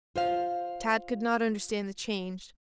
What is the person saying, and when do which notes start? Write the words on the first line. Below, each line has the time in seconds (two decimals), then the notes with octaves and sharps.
Tad could not understand the change.
0.16 F4 C5 F5